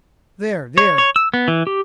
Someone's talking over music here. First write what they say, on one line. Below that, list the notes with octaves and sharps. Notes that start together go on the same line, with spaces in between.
There, there!
C#5
C#5
E6
B3
E3
G4